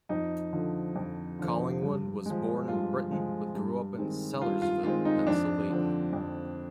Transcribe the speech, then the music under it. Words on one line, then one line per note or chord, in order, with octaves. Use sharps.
Collingwood was born in Britain but grew up in Sellersville, Pennsylvania.
F2 D#4
D3 F3
F2
D3 F3
G2
F3 G#3
G2 F4
F3 G#3
G2
D#3 G#3 C4
G2 F4
F4
D#3 G#3 C4 F4
D#4
F2 D4
D3 F3 C4
F2